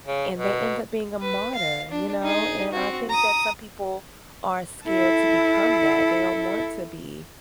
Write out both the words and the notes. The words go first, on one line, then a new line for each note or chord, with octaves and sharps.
and they end up being a martyr, you know? And I think that some people are scared to become that, they don't want to be
C#3
B2
B4
F5
D4
D#4 G#4
C4 F#4
A#5 D#6
E4 A4